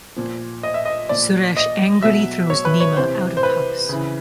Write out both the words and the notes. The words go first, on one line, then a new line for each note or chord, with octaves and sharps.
Suresh angrily throws Nima out of house.
A#2 F3
D#5
E5
D#5
A#2 F3 D5
D#5
B2 F#3 E5
C#5
B4
C#5
C3 E3 C5
C5
B4
C#3 E3